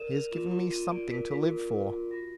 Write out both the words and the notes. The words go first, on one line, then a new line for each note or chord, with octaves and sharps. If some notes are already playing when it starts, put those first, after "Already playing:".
He has given me something to live for.
Already playing: A#4 D5 D#7 E7
A#4 F7
F4 E7
F4 E7
F4 D#7
D5 D7
A#4 B6
F4 B6
A#4
A#4
F4
F#4 A#6